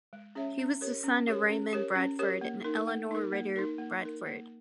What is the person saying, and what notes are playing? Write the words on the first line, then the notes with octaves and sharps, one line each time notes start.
He was the son of Raymond Bradford and Eleanor Ritter Bradford.
G#3
C#4 G#4 C#5 E5
C#4
G4 A#4 C#5
C#4
G4 A#4 C#5
C#4
G4 A#4 C#5
C#4
G4 A#4 C#5
A#3
D#4 A#4
A#3
D#4 A#4
A#3
D#4 A#4
A#3
D#4 A#4
A#3